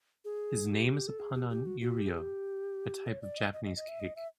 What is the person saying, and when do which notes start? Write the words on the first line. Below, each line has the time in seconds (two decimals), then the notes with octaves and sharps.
His name is a pun on "Uiro", a type of Japanese cake.
0.25 G#4
0.72 G4
1.08 A4
1.19 G#4
1.34 G4
1.50 G4
1.66 F#4
1.81 F#4
1.97 G4
2.07 G#4
2.18 G4
3.07 C#5
3.22 D5
3.38 D#5
3.53 D#5
3.65 D#5
3.77 D#5
3.88 E5
4.00 D#5
4.16 E5